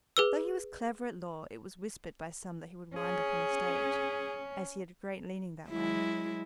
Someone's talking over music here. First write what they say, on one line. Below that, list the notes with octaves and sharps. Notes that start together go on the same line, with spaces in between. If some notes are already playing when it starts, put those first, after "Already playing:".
Though he was clever at law, it was whispered by some that he would wind up on the stage, as he had a great leaning that way.
G#4 B4 E6
C#4 G#4
F#3 G#3 E4